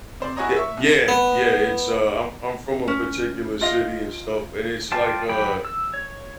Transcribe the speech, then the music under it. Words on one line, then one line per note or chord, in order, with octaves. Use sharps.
the Yeah, yeah. It's, uh, I'm I'm from a particular city and stuff, and it's like, uh
C3 C5 D5
E4 F#4 G#4 C#5 D#5 A#5
E5 C#6
C2 C3
B3
C#4
F4 D#5 F5
F4 C5 D5 G5 A5
F#3 G4 G5 B5
E6
C#5